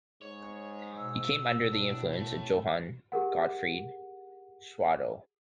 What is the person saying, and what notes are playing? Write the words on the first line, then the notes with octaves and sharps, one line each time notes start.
He came under the influence of Johann Gottfried Schadow.
G#2 C#5
B2 E6
A2 D4
A3 A5
G4 G#4 A#4 F#5